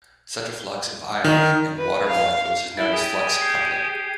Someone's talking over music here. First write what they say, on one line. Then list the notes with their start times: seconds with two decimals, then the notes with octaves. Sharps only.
Such a flux of ion and water molecules is known as flux coupling.
1.24 D#3
1.78 B4
2.08 F5
2.77 E4 A6 D7 G7
2.93 G4 G#4 B6
3.42 G6 G#6 C7